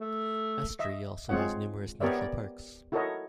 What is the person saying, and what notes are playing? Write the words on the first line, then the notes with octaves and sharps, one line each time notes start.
Estrie also has numerous natural parks.
A3
D#5 E5
G#3 C4 F4 C#5 F#5
B3 G4 A#4 C#5 D5 E5
D5
E4 F#4 A4 A#4 C#5 D#5